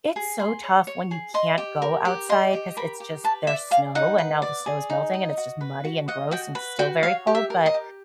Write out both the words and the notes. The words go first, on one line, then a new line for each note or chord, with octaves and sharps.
it's so tough when you can't go outside 'cause it's just there's snow and now the snow is melting and it's just muddy and gross and still very cold. But
G#4
G#4 C6
C#5
C#5
G#4
D#5 C6
G4
A#4
G4
D#5 C6
G4
A#4 B5
G4
B4 A5
D5 E5
G#4 F5
D#4 F#5
B4
D5
G#4
D#4
D#5
F#4
B4
F#4
D#5 F#5
F#4 G5
B4
F#4 G5
C#5 F5
G4
E5
A#4
D#5
G4